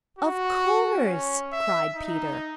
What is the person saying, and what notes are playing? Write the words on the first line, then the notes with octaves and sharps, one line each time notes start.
"Of course," cried Peter.
F#4
C#4
E5
D#4